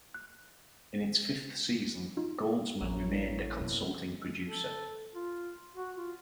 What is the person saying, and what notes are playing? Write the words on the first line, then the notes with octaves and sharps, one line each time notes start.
In its fifth season, Goldsman remained a consulting producer.
F#6
D#4 F4
A1 A#3 C#4 E4
F2 B2
G#3
A4
F4
F#4
F4